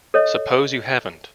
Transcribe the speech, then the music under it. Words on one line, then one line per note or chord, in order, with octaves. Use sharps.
Suppose you haven't?
A4 C#5 D#5